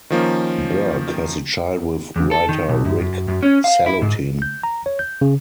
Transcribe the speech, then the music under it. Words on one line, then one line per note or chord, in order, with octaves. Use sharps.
Burke has a child with writer Rick Salutin.
D#3 F3 A#3 C#4
E2
A4
D#3
B1
F#2
F#2
F#2
C#4
F5
E4
G#2
G6
A#5
C#5
G6
C#3